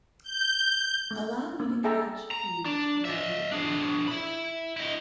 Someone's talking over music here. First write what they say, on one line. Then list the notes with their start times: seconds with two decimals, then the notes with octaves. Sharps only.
Allow me to catch you round the neck.
0.23 G6
1.11 A3
1.60 A#3
1.84 G#4 A4 E5 G5 A5 A#5
2.31 A#5
2.65 D4
3.05 D#5 E5
3.52 D4 G#4
4.08 E5 B5
4.77 E4 D#5